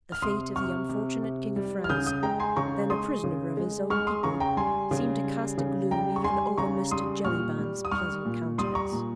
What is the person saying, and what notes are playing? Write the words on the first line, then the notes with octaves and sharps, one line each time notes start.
The fate of the unfortunate King of France, then a prisoner of his own people, seemed to cast a gloom even over Mr. Jellyband's pleasant countenance.
F6
C3 C6 D#6
C3 C#6 F6
C3
C3
G3
F6
C#3 D#6 G6
D#6 G6
G#3 G5 A#5
G#5 C6
C#3 A#5 C#6
G#3 C6 D#6
C#3
G#3
G#3 C#6 F6
C6 D#6
C#3 A#5 C#6
G5 A#5
G3 G#5 C6
C#3
G3
C#3
G3 G5 A#5
C#6
G3 G#5 C6
C#3 A#5 C#6
G3 C6 D#6
A#2 C#6 F6
G3
D#6
G3 C#6 F6
A#2
G3 C6 D#6
A#5 C#6
A#2